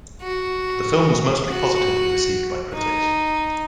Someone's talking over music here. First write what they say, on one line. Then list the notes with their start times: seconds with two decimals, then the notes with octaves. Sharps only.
The film was mostly positively received by critics.
0.22 F#4
1.49 F#4
2.74 D#4